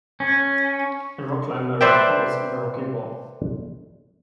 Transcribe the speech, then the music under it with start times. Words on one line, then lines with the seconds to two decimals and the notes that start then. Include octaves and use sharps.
A rock climber repels off a rocky wall.
0.20 C#4
1.81 B4 C5 D5 E5 G5